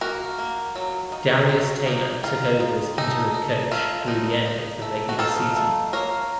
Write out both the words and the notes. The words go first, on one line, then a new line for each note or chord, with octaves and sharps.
Darius Taylor took over as interim coach through the end of the regular season.
A#3 F#4 A#4
A#3
F#3
D#3
F#3
A#3 D#4
D#3 F4
D#3
A3 D#4
D#4
A3 F4
D#4
D#4
A3
F#4
D#4 F4 A4
A3
A#3 A#4 C#5